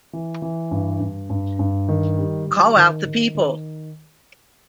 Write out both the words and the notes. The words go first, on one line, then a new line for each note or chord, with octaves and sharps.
Call out the people!
E3
E3
G2
G2
G2
G2
D#3
G3
D#3
D#3
D#3
D#3